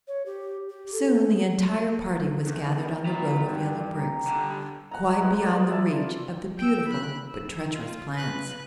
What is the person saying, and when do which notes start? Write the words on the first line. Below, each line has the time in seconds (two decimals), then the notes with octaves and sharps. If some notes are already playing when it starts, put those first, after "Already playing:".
Soon the entire party was gathered on the road of yellow bricks, quite beyond the reach of the beautiful but treacherous plants.
0.08 C#5
0.26 G4
0.70 G4
0.92 A4
1.28 G#4
2.46 E2
3.06 G#2 C4 E4 F#4 D5 A#5 B5
3.49 G2 G4
3.94 A#5
4.27 D3 G3
4.91 F#5 A#5
5.21 F3 G#3 B4
5.42 C5 D5
5.55 B3 G#4 A#4 D5
5.70 E5 G#5 A5
5.92 F4
6.58 G5 E6
6.88 B5 F#6
7.28 E6
7.73 F4
8.15 B4 F#6